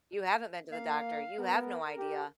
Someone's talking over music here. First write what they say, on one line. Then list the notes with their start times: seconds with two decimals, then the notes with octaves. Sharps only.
You haven't been to the doctor, you have no idea,
0.72 A#3 F5
1.39 B3 A#4
1.98 G4